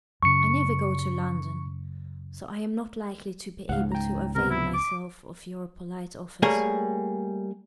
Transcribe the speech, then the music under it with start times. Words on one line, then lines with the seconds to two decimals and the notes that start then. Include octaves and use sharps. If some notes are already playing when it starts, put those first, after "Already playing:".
I never go to London; so I am not likely to be able to avail myself of your polite offers.'
0.23 F#2 C#3 C#6 C#7
3.69 C#2 G#2 F5 F#5
3.92 G5 A#5
4.35 C3 B3 A#4
4.51 E4
4.74 D6
6.42 G3 A3 A#3 G#4 A#4 C#5